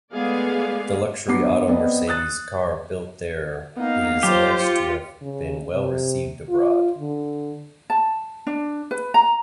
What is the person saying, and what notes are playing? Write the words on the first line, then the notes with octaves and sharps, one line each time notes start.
The luxury "Otto-Mercedes" car built there is alleged to have been well received abroad.
G#3 A3 B3 G#4 D5 F5
G2 F#3 B3 D6 C7
B3 C4 D5 D#5
D#6 F#6 A6
A#3 B3 D#4 F5
F#3 F4 G4 C5
F4 C#7
C#3
C3
F4
D3
A5
D4
B4
A#5